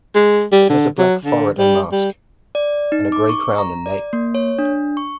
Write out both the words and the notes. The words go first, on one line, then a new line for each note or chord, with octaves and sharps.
It has a black forehead and mask and grey crown and nape.
G#3
G3
D3
F#3
D3
G3
G3
D5
D#4
D6
C#6
A#5
D5
A#3
C#5
D4
C#6